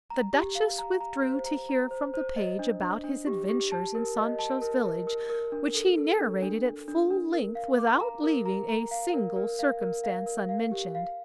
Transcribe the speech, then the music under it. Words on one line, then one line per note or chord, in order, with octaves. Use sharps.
The duchess withdrew to hear from the page about his adventures in Sancho's village, which he narrated at full length without leaving a single circumstance unmentioned.
A#5
G4
F5
A#5
A#5
C5
A#5
A#5
C5
C5
D#5
D4
D4
D4
G4
G4
A5
A#4
D#5
A5
A#4
A#4
A#4
A#4
D4
A4
A4
D4
D4
D4
D4
D4
A#4
F5
D6
A#5
A#4
A#5
A#5
F5
A#4
A#4
F5
A#4
F5
A#4
F5
G4
F5